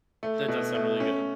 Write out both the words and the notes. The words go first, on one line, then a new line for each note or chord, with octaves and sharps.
That does sound really good.
A3
B2
A3
C#4